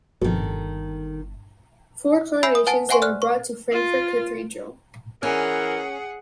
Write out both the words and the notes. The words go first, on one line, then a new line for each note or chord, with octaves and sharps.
For coronations they were brought to Frankfurt Cathedral.
G1 F2 B2 D#3 A4
E5 G#5 B5 E6 G6 C7
D#6
B4 F#5 G#5 A5 A6 D7
C5 E5 F#5 G#5 C6 C#6
D5 F6 F#6
C#6
F4
E3 C#4 G#4 A#4 F#5